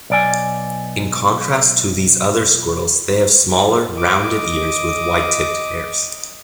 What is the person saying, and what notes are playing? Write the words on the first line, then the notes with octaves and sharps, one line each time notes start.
In contrast to these other squirrels, they have smaller rounded ears with white-tipped hairs.
B1 D5 G#5
D#5 D6